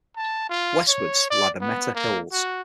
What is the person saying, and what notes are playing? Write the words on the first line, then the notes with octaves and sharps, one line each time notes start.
Westwards, lie the Mettur hills.
A5
F4
C#5
D5
B3
A#3
F#4